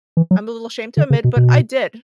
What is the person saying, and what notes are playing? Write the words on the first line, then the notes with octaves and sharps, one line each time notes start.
I’m a little ashamed to admit, but I did.
E3
F#3
D3
C#3
B2
B2